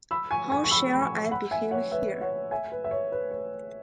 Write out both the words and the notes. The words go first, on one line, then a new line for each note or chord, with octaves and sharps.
How shall I behave here?
B5 E6
G#5 C#6
G#5 C#6
C#6
B5 E6
B5
G#5 C#6
F#5 B5
E5 G#5
C#5 F#5
B4 E5
C#5 F#5
E5 G#5
B4
E5
C#5
B4
C#5